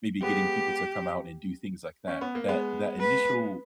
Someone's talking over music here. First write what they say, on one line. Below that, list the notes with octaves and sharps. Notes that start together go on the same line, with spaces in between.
maybe getting people to come out and do things like that that that initial
G#3 B3 G4
C#4
B3
A#3
G#3 B3
B4